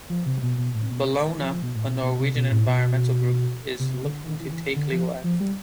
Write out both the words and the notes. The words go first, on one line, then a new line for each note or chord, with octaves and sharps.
Bellona, a Norwegian environmental group, is looking to take legal action.
F3
C3
B2
B2
A2
B2
C3
D3
F3
F3
B2
A2
B2
B2
C3
B2
A2
B2
C3
D3
D3
E3
D3
E3
D3
F3
F3
G3